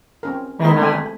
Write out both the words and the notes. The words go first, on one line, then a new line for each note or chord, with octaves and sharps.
and a
C4 C#4 A#4
G#3 B3 E4 C5 D#5 E5
A3 C4 A4 E5 G5 G#5